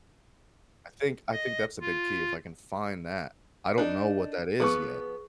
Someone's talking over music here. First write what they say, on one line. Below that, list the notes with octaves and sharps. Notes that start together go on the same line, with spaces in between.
I think I think that's a big key if I can find that. I don't know what that is yet.
D#5
F4
D4 D#4
F3 B3 G#4 B4 C#6